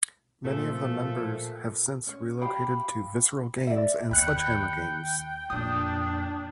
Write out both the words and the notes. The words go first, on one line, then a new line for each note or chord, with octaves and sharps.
Many of the members have since relocated to Visceral Games and Sledgehammer Games.
A#2 F3 A3
C#4
G4 F5 G5 B5
D5 E5
D#2 G5 B5 F#6 C#7
F2 A#2 D4 D#6